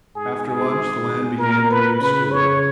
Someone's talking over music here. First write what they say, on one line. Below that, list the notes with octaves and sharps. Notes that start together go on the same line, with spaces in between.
After lunch the land began to be obscured.
G#2 G#4
G#4
A#2 A#4
B4
C#3 B4
C#5